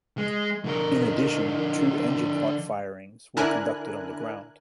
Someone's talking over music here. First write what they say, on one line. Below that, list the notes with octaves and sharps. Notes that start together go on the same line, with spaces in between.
In addition, two engine hot firings were conducted on the ground.
G#3
D3 A#4
D3 D4 E4 A#4 G#5 F#6